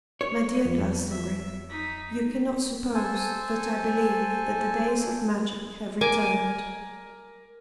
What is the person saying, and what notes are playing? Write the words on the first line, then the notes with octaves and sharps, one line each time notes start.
'My dear Glastonbury, you cannot suppose that I believe that the days of magic have returned.
C#5
F2
E5
D#4 B6
A4 C5 G#5 A5
A#4 G#5 D6